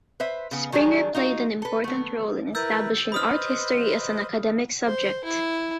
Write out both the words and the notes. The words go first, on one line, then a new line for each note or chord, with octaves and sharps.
Springer played an important role in establishing art history as an academic subject.
B4 C5 E5
C#3 B3
D#3 F#3 G3 D4 G#4
D#4 F4 F#4
A4 B4
A3 B3
E4 A#4 B4 E6 G6 A6
B4 C5 D#5 B5 D#6 F6
C5
E4